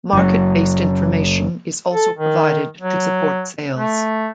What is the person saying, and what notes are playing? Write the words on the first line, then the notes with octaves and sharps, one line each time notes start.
Market based information is also provided to support sales.
F#1 F#3
A4
D#3
F#3
A3